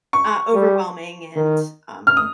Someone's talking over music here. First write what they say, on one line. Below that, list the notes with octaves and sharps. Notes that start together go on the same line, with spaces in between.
uh, overwhelming and, um,
C#6
G3
D#3
F6
D#6